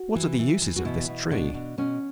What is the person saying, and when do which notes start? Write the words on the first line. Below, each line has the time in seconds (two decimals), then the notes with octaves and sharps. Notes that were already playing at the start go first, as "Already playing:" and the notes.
What are the uses of this Tree?
Already playing: F#4
0.15 E3
0.39 E3
0.62 E3
0.76 F#4
0.85 B2 E4
1.08 B2
1.31 B2 D4
1.54 B2
1.78 B2 C#4